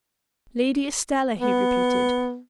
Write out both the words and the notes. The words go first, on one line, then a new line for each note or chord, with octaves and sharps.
"Lady Estelle," he repeated.
B3